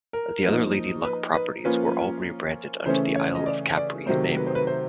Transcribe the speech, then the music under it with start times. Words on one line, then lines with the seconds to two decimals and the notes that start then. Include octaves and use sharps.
The other Lady Luck properties were all rebranded under the Isle of Capri name.
0.13 A#4
0.44 F3 A#3 D#4
1.04 B4
1.34 B4
1.65 F3 A#3 C#4 F4 B4
2.86 C#3 E3 A3 C#4 C5
3.15 C#5
3.35 D#5
3.46 D5
3.77 D5
4.06 C3 D#3 F#3 A3 C4 C5
4.37 B4
4.47 C5
4.55 B4
4.67 C5